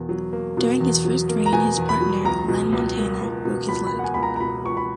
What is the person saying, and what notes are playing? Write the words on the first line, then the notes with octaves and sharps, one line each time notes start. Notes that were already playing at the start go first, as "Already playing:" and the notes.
During his first reign, his partner, Len Montana broke his leg.
Already playing: E2 B2 A#3
F#3
A#3
B2
E2
F#3
A#3
A#5
B2 G#5
E2
B5
F#3
C#2 A#5
B2
C#2
A#3
C#2
B2
C#2 B5
B5
A#3
F#5
G#5
C#2 B5
A#5
A#5
B2 B5
C#2 C#6
B5